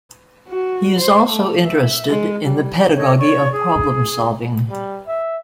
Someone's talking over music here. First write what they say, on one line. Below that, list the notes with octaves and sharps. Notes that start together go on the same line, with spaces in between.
He is also interested in the pedagogy of problem-solving.
F#4
C5
A3
E5
G#3
G3
A4 C#5 D#5
C#5 D5 C#6
G#4
G3
E5